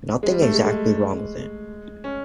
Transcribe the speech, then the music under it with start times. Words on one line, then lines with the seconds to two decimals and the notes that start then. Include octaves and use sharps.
Nothing exactly wrong with it.
0.23 G#3
0.31 G3
0.42 A3
0.54 G#3
0.66 G#3
2.04 C#4